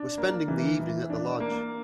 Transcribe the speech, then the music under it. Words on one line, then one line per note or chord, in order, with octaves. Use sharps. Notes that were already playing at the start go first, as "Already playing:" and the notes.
We're spending the evening at the lodge.
Already playing: D4
A#3
E3
E3
D4
A#3